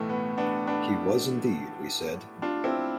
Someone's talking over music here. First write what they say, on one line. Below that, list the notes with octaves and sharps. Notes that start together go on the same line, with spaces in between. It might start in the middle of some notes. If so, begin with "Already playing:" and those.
He was indeed, we said.
Already playing: B1 A2 E3 A3
B3
B3 D4
B3 D4
D4 F4
C4 E4